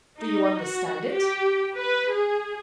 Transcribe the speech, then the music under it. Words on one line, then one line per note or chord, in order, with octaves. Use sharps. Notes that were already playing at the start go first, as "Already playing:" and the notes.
"Do you understand it?"
D#4
F#4
G4
B4
G#4